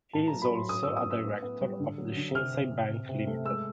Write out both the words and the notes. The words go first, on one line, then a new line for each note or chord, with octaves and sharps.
He is also a director of The Shinsei Bank Limited.
A2 A5
F#3 A#5
B5
F#3 C6
A2 D#6
A2 E6
D#6
A2 E6
B3
B3
G3
D3
F#3
D3
C3 F6
C3
C3
C3
C3
A3
G#3 E6